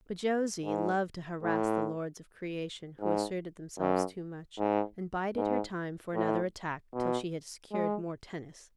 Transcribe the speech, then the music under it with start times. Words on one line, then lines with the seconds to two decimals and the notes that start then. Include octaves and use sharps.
But Josie loved to harass the lords of creation who asserted themselves too much, and bided her time for another attack till she had secured more tennis.
0.65 G#2
1.43 A2
3.00 G#2
3.79 F#2
4.58 G#2
5.36 G#2
6.15 A2
6.93 B2
7.71 G#3